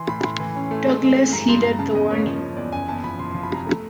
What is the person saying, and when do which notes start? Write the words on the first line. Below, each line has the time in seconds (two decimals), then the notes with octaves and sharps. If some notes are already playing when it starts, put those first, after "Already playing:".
Douglas heeded the warning.
Already playing: E3 C6
0.08 A2 B5
0.24 A2 C6
0.40 E3
0.55 C#4
0.71 A3
0.87 G#3
1.02 E3
1.17 G#3
1.32 G2 A#5
1.48 G2 C6
1.63 G2 A#5
1.79 C#3 A5
1.95 E2 D#5
2.10 A#3 C#5
2.26 F3 C#5
2.42 C#3 C#5
2.57 E2 D5
2.72 F#1 G#5
2.89 E2 A5
3.04 F3 B5
3.19 F3 C6
3.31 F3 C6
3.43 B5
3.51 C3 A#5
3.66 A3